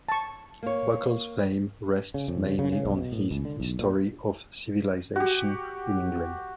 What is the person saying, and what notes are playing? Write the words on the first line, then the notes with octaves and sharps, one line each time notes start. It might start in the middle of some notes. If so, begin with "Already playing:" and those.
Buckle's fame rests mainly on his "History of Civilization in England".
A5 C#6
A#3 C#5
C#3
F2
C#3
C#3
C#3
B1
B2
A2
C#2
D3
B1
A#2
F#4 G4